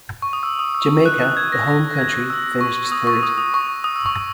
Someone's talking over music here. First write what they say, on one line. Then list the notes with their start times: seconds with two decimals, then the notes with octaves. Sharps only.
Jamaica, the home country, finished third.
0.22 C#6
0.33 D#6
0.43 E6
0.59 D#6
0.75 E6
1.06 F#6
1.22 F#6
1.37 G#6
1.52 A#6
1.68 A#6
1.99 G#6
2.30 E6
2.61 C#6
2.92 D#6
3.07 C#6
3.23 D#6
3.38 D#6
3.54 C#6
3.84 D#6
3.96 E6
4.06 C#6